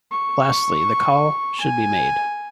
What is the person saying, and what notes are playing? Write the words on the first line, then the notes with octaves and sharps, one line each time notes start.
Lastly, the call should be made.
C#6
G#5